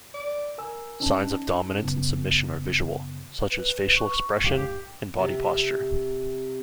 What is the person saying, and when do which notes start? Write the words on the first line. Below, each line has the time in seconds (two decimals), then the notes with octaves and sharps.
Signs of dominance and submission are visual, such as facial expression and body posture.
0.14 D5
0.58 A#4 G#5 E6
1.00 C#4 D#4 A5
1.83 F#2 C#3 B3
3.50 B4
3.96 C#6
4.44 A1 F2 G#2 G4 F5 D6
5.19 C3